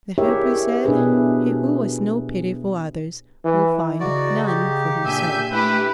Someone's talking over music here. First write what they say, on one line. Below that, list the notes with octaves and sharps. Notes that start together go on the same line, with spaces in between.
The Hoopoe said, "He who has no pity for others will find none for himself."
E4 G4 G#4 A#4 C#5 E5
B2 D4 E4 G#4 B4
E3
C#3 D#4 F#4 D5
G4
A#2 D4 E5 G#5 G6
A3 E4 G4 B4